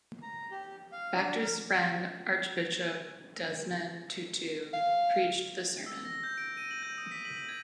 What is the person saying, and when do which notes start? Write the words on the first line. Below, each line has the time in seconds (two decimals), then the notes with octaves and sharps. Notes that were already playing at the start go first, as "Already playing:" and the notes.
Baxter's friend Archbishop Desmond Tutu preached the sermon.
0.22 A#5
0.51 G4
0.92 F5
1.15 D4
1.41 A#4
4.73 F5
5.86 E6
6.05 A#6
6.23 G6
6.38 D7
6.57 D#7
6.71 F#7
6.83 G6
6.98 D#6
7.11 B6
7.25 F#7
7.36 F#7
7.49 G#6